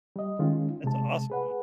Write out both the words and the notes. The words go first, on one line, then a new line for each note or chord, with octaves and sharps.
That's awesome.
G3 D#5
D#3 G#3 C#4 F4
C3 G#3 A5
G#4 B4 F#5